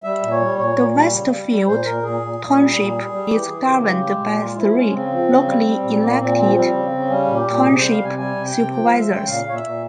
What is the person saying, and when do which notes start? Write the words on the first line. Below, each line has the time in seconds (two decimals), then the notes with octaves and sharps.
The Westfield Township is governed by three, locally elected Township Supervisors.
0.04 G3 E5
0.22 A#2
0.31 C#5
0.40 G3
0.58 A#2 C#5
0.76 A#2
0.95 G3
1.13 C#3
1.31 G3
1.48 G3
1.67 A#2 C5
1.85 A#2 A#4
2.03 A#2 G#4
2.21 A#2
2.40 A#2
2.57 G3
2.75 A#2
2.93 G3
3.11 G3
3.30 E3 G4
3.47 E3 G#4
3.66 C#3 G4
3.83 G#3
4.01 G#3
4.19 A#2
4.38 G#3 F4
4.56 F3 E4
4.74 G#3 C#4
4.93 C#3 C4
5.10 F3
5.28 C#3
5.46 G3
5.65 G3
5.83 A#2
6.01 A#2 A#3
6.18 A#2 C4
6.37 F3 C4
6.55 G3 C4
6.73 C#3
6.91 C#3
7.10 G3 C#4
7.27 A#2
7.36 G4
7.46 A#2
7.63 C3 G#4
7.77 G3 C5
7.90 F5
8.00 C3 G#5
8.18 G3 G#5
8.36 C3
8.45 G5
8.55 C3
8.72 F3 G5
8.86 G#3 F5
8.99 E5
9.09 C#3 G5
9.27 A#2 F5
9.45 A#2 C#5
9.54 E5
9.63 A#2